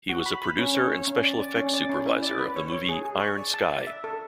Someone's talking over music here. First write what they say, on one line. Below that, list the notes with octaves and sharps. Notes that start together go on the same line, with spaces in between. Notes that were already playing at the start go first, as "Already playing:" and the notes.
He was a producer and special-effects supervisor of the movie "Iron Sky".
F#4
B5
B5
C#4
C#5
C#5
C#4
D5
D5
C#4
D5
C#4
E4
D5
B4
C#5
C#5
G#4
G#4
C#6
D5
A5
D5
E5
A4